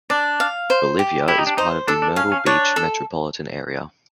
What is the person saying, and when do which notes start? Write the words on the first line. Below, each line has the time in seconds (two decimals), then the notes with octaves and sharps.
Bolivia is part of the Myrtle Beach metropolitan area.
0.10 D4 D5
0.40 F5
0.70 C5
0.99 G4
1.28 E4 G4
1.38 D#4
1.47 D4
1.57 D#4 C5
1.88 D4 A4
2.02 D4
2.16 C#4 F5
2.32 C#4
2.46 D4 C#5
2.76 A4